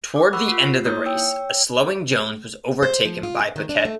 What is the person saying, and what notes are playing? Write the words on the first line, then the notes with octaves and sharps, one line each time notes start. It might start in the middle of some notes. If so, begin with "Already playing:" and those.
Toward the end of the race, a slowing Jones was overtaken by Piquet.
D6
A#4 F#5 B5 C#6 E6 F#6
F4 C7
A#3 D#4 E4 C#5 D#6 G6
C#5 G5 E6
C5
F3
F4
C3
D#3
D4
A3